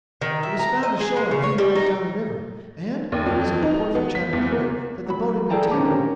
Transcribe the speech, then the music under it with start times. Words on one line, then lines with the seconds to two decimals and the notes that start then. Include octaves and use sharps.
It was found ashore a few miles down the river, and there was a report from Chattanooga that the boat had been taken.
0.21 D#3
0.43 E5
0.59 A#5
0.83 D#5
1.00 G#4
1.16 G#3
1.31 C#3
1.43 C#5
1.58 G3
1.76 D#4
3.12 D#2
3.26 F2
3.63 D#4
3.95 B3
4.15 B6
4.33 E2
4.52 A#3
5.06 F#3 B5
5.50 G#4 A4 D5 G5 A5 A#5
5.71 D3 D#3 C4 C#4 A#5 D6
5.88 C#4 G4 A#4